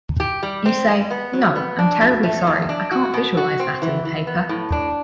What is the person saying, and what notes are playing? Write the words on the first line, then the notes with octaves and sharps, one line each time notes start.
You say, 'No, I'm terribly sorry, I can't visualise that in the paper.
G4
G3
C4
G3
B3
F#3
B3
D4
B2
A3
E2
D4
F#4
B2
F#4
C4
E3
E3
B3
A2
D4